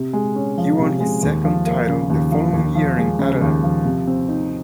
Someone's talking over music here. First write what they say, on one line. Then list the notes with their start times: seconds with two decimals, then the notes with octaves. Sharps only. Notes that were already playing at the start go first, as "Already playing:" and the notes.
He won his second title the following year in Adelaide.
Already playing: C3
0.13 G#3
0.36 C#4
0.58 F3
0.79 C3
1.00 G#3
1.23 D#2
1.44 F3
1.66 A#3
1.89 C#3
2.10 D#2
2.31 F3
2.53 D#2
2.75 F3
2.97 G#3
3.19 C#3
3.42 D#2
3.63 F3
3.85 C3
4.07 C4
4.29 D#4